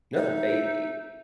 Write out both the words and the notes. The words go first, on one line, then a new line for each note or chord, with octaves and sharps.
No, a th
D#4 E5